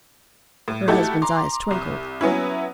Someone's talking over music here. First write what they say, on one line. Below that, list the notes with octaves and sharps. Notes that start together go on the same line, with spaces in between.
Her husband's eyes twinkled.
A2
A3 D#4 E4 F#4 G4 A4
A#5 C6 D6
C2
F#3 B3 C#4 E4